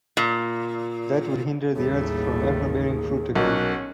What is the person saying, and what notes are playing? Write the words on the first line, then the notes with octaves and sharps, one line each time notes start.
That would hinder the earth from ever bearing fruit again.
A#2
A1 D#2 A2 G3 A3 G#4
B1 C#4 F#4 A#4 F#5